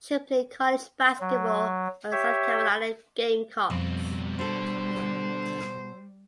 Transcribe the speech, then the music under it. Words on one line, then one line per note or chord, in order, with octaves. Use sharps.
She played college basketball for the South Carolina Gamecocks.
F#3
G4 C#5 E5
F2 B2 G3 C4
B2 D3 A4 C5